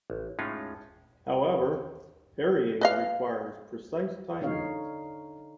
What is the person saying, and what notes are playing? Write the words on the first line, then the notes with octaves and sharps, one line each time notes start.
However, parrying requires precise timing.
A1
A2 G#3 C#4 D#4 F4
B4 D#5 F5
D3 D#4 C#5 F5